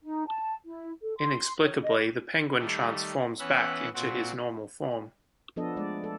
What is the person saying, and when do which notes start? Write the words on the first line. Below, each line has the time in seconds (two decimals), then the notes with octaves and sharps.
Inexplicably the Penguin transforms back into his normal form.
0.03 D#4
0.28 A5
0.64 E4
1.02 A4
1.18 C6
1.63 C#5
1.83 D#5
2.59 D#3 G3 A3
3.39 E3 B3 C#4 E5 F#6
3.94 A#2 C4 F#4
5.56 F3 B3 D4 A4 D#5
5.76 G#3 A3 D5
6.04 A4